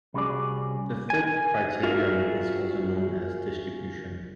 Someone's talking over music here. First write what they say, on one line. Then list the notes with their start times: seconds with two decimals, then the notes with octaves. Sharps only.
The third criterion is also known as "distribution".
0.14 C2 G3 C#4 F#4 G#4 D5
1.10 G#5
1.83 F4 F#4 G#4 A#4 E5